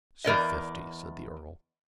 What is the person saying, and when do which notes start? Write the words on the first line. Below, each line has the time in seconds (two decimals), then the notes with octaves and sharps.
"Say fifty," said the earl.
0.24 E2 A#4 D5 D#5